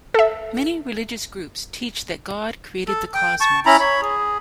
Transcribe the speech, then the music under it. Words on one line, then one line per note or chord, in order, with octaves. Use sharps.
Many religious groups teach that God created the Cosmos.
A4 E5
A4
G5
A5 C#6
C#4 E4 A#5 B5
C#5 B5
G#4